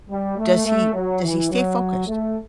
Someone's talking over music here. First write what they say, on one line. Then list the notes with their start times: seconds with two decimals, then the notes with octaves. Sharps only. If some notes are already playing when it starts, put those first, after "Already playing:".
does he does he stay focused?
0.09 G3
0.38 A3
0.66 A3
0.94 F#3
1.23 E3
1.51 F#3
2.07 A3